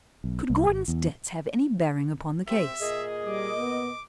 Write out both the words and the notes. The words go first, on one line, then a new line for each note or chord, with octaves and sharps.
Could Gordon's debts have any bearing upon the case?
B1
C2
G#1
E2
C4 G4 E5
A#2 G#4 A#4 D#5
G3 D6
B3